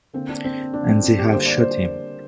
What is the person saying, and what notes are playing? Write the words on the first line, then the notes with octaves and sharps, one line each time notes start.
And they have shot him.
D3 A#3 C4
D4
C4
D4
C4
D4
G4
D3 G3 A#3 C5
D5
C5